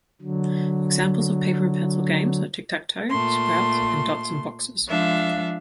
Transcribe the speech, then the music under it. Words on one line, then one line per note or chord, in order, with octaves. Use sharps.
Examples of paper-and-pencil games are Tic-tac-toe, Sprouts, and Dots and Boxes.
D3 F#3
A#2 A3 C6
F3 G#3 D4 E5 F5